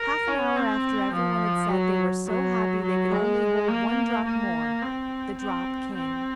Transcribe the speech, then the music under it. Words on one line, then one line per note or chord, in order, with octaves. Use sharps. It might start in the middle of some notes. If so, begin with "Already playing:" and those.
Half an hour after everyone had said they were so happy they could only hold one drop more, the drop came.
Already playing: A#4
C#4
C4
F3
F#3
F#3
F#3
G#3
A#3
A#3
C4
C4
C4